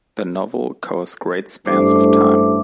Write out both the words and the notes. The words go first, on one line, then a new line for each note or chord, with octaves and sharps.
The novel covers great spans of time.
A1 G2 A3 C5 D6